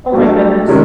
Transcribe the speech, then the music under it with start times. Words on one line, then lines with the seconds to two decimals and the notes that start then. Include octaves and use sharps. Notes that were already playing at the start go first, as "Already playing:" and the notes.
Oh, my goodness.
0.12 F#3 A3 D4
0.67 C3 D#3 G#3 C#4